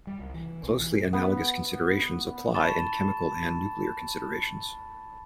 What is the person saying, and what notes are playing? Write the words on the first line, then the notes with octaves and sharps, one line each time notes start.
Closely analogous considerations apply in chemical and nuclear considerations.
G3
C2
E3
B1
E3
B3
A5 B5 C#6 A6 E7